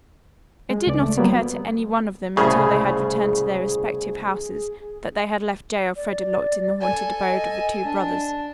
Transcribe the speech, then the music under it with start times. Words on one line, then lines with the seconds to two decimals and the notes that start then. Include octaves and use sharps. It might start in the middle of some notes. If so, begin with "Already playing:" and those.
It did not occur to any one of them until they had returned to their respective houses that they had left J. Elfreda locked in the haunted abode of the two brothers.
0.70 G#3
0.87 C#2 D5
1.02 A3
1.18 F#3 G3 A#3 B3
2.37 C2 A2 C#3 G#4
5.96 D5
6.80 A4 G#5
7.31 D#5
7.84 D4 A5